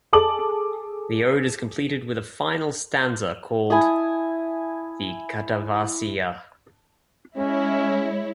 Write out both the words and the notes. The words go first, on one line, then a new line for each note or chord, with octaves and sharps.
The ode is completed with a final stanza called the "katavasia".
G#4 A4 A5 D6 F#7
E4 G#5 A5 D#6
G#3 C#4 E4 C#5